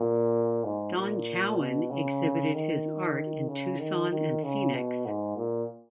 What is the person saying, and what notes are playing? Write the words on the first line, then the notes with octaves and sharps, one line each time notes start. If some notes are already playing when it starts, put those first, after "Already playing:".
Don Cowen exhibited his art in Tucson and Phoenix.
Already playing: A#2
G#2
A#2
B2
C#3
D#3
C#3
D#3
D#3
C#3
B2
G#2
A#2